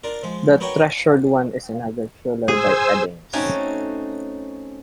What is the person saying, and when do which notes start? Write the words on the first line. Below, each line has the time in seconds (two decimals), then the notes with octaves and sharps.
The Treasured One is another thriller by Eddings.
0.04 D4 F4 A#4
0.23 F3 G#3
0.60 B3 D#4 F#4 A#4 C#5 G5
2.48 G#4 C5 G#5 E6
3.33 A3 C4 C#4 D#4 F#4 C#5